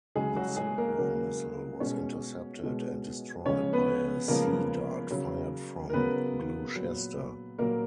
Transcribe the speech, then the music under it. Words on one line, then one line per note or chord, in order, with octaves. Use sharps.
The Silkworm missile was intercepted and destroyed by a Sea Dart fired from "Gloucester".
C#3 F#3 G#3 G#4
F#3 F#4
G#3 G#4
A#3 A#4
C#3 F#3 A#3 A#4
B2 G#3 C#4 C#5
B2 G#3
C#3 F3 G#3 C#4 C#5
B3 B4
C#3 F3 G#3 A#3 A#4
C#3 F#3
A#4
C#3 F#3 B3 B4
A#2 F#3
A#2 F#3 A#3 A#4